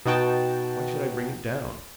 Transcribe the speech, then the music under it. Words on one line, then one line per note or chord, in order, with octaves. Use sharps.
Why should I bring it down?
B2 D#4 F#4 G5 A5